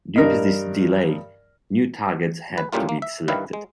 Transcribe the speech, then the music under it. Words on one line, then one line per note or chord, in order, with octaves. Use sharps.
Due to this delay, new targets had to be selected.
G2 A#4 D#5
B4
C#2 F#2 A2 G3 A#3 F4
A#3
E5
G2 D#3 G3 E4 B4 F5
G#3